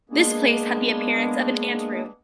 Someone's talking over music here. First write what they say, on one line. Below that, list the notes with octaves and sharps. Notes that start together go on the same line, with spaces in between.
This place had the appearance of an ante-room.
G#3 A#3 B3 D4 G#4